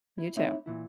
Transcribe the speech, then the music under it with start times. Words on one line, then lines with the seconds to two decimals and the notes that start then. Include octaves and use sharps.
You too.
0.18 E4
0.36 A3 C4 D#4 E4 C#5 E5
0.66 A#2 E3 E4